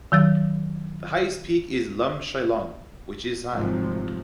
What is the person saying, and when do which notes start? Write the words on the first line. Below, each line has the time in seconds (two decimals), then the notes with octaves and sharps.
The highest peak is Lum Shyllong which is high.
0.12 D#3 F#3 A6
3.52 G#1 A2 C3 F3 F#3